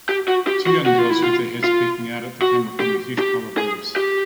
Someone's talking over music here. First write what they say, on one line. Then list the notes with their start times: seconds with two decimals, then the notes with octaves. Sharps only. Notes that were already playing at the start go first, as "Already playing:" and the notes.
Two young girls with their heads peeking out at the camera from a huge pile of leaves.
0.09 G4
0.28 F#4
0.47 G4
0.67 F#4
0.86 F#4
0.98 F4
1.10 E4
1.22 F4
1.64 F4
2.42 F#4
2.80 G4
3.19 G4
3.58 G#4
3.96 G4